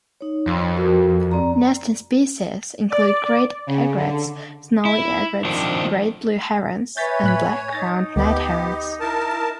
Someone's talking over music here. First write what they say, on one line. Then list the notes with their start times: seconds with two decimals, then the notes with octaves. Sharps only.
Nesting species include great egrets, snowy egrets, great blue herons, and black-crowned night herons.
0.21 D#4 C#5
0.47 F2 C6
0.77 F#4 A#4
1.31 C4 D5 A#5
2.90 D5
3.67 C#3
3.96 D3
4.85 E4
5.45 D#3 F3 C4 D4
6.97 B4 C#5 E5 G#5 G6 A6 B6
7.24 A2 F#6 B6
7.73 D#4 A6 A#6
8.16 D2 B3 G4 D#5
9.00 E4 A#4 A5